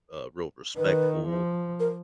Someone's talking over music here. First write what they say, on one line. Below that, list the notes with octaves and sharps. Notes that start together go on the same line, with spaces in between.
uh, real respectful,
D#3 B4
F3
A#4